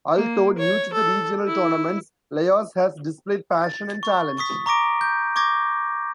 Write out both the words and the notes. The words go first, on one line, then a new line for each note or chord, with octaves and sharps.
Although new to the regional tournaments, Laos has displayed passion and talent.
A#3
C#5
A4
E4
A6
C#6
C#6 D#6 B6
A#5 C#6 D6 A#6 D7
G6
C#6 D6 G#6 A#6